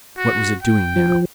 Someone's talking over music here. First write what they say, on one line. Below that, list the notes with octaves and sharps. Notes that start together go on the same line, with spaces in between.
What was it doing now?
F#4
G5
F3